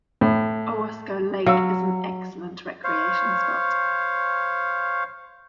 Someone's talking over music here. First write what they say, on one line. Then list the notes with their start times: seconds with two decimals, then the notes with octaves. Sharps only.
Owasco Lake is an excellent recreation spot.
0.21 A2
1.46 F#3 F5 E6
2.84 C5 C#5 F5